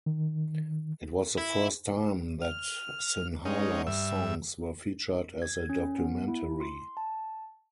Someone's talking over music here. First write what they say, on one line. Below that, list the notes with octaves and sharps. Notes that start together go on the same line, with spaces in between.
It was the first time that Sinhala songs were featured as a documentary.
D#3
E4
F6
G#3 C#4 D#4
G2 E5
G#6
C#4
B3
E4
C6
A5